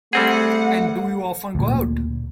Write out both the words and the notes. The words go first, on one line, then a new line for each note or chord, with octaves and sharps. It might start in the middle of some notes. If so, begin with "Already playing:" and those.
And do you often go out?
G3 A3 C4 G#4 F#5
D2 A#2